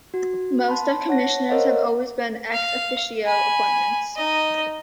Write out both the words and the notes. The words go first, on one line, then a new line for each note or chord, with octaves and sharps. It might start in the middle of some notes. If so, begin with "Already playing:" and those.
Most of the Commissioners have always been "ex officio" appointments.
F#4
A5 B5 C6
C#5 F#5 A5 A#6
A#4 C5 C#5 D#5 F5 F#5
F5
G#5 B5
D#4 D#5